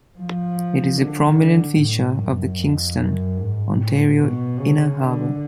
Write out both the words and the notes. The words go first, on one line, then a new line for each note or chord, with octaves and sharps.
It is a prominent feature of the Kingston, Ontario Inner Harbour.
F3
D3
D3
A2
F#2
F2
F#2
G#2
A2
B2
C#3
D3